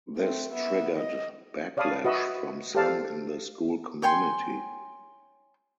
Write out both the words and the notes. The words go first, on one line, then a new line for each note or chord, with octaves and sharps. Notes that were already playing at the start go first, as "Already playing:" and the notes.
This triggered backlash from some in the school community.
A3 C4
B3 E5
D#5
C#5 D5 F5 A5 B5 D#6
F#4 B4 D#5 E5 B5 E6
G4 A4 C5 D5 F5 A5
C#5 G5 G#5 C6